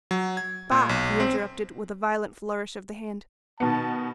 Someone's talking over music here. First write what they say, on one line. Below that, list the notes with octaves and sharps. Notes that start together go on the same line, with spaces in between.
"Bah!" he interrupted, with a violent flourish of the hand.
F#3
G#6
A#2
B1
C4
B2 D#3 B3 A5